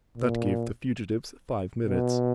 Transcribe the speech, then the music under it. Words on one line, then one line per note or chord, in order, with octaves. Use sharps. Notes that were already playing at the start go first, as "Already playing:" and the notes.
That gave the fugitives five minutes.
A#2
B2